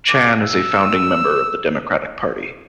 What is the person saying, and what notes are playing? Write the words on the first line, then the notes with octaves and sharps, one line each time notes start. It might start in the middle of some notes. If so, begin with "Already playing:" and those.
Chan is a founding member of the Democratic Party.
D6
E6